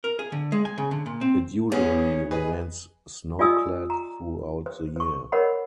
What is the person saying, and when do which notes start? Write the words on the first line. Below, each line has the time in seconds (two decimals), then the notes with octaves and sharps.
It usually remains snow clad throughout the year.
0.04 A#4
0.19 G#4
0.32 D3
0.52 G#3
0.65 G#5
0.78 C#3
0.91 D3
1.06 A#2
1.21 C4
1.72 E2 B3 C#4 G#4
2.31 G#4 B4 D#5
3.39 F4 D5 D#5 G#5 D#6 E6
3.90 A#5
4.66 C5
4.96 C5 C#6
5.32 A#4 C5 C#5 D#5 F#5 B5